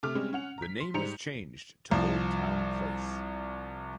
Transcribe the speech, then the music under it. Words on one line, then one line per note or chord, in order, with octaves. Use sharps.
The name was changed to Old Town Place.
C3 A3 D6 F6
G3 G#3 C4 C#4
C#4 F#5 F7
A#5 B6
C6
G#2 G3 C5 A#5 C#7 F7
C2 F3